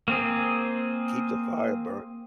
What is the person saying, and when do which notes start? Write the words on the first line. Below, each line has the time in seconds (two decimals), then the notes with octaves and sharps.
Keep the fire burn
0.08 A#3 C4 G#4